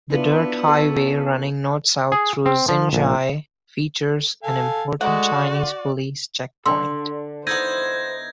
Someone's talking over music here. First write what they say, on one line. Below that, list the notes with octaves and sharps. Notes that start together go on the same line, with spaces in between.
The dirt highway running north-south through Xinzhai features an important Chinese police checkpoint.
B3 D4 E4 F4 B4
F#4 A4
G#4
C4
F3
A#1
A4 F5 G#5
G#3 A3 F#4 D5 F#5
D3 D5
D3 C6 E6
B3 D#4 E4 C5 G6 G#6 A#6 D#7